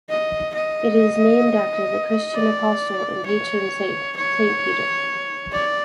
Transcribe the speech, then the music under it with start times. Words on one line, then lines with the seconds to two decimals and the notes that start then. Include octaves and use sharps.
It is named after the Christian Apostle and patron saint, Saint Peter.
0.09 D#5
0.55 D#5
2.35 D5
3.26 C#5
4.16 C#5
5.52 D5